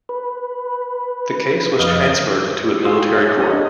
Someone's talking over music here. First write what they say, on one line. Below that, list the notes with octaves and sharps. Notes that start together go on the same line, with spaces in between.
The case was transferred to a military court.
B4
F2 D#5 F5
F4 F#4 G#4 C6 D#6 E6
G5
F#4 C#5 E5 F5
G#4 F#5 D6
D4 G4 C#5 D#6
D4 D#5